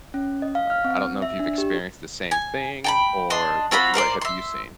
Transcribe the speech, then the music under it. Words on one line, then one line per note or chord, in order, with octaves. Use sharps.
Uh, I don't know if you've experienced the same thing? Or what what have you seen?
C#4
D#5
F5
F6
C4
E5
D4
G4
G#5
G5 A5 B5
D4 D#5 C6
C4 F4 F#4 B5
A#4 C5 D5 C6
E5 C6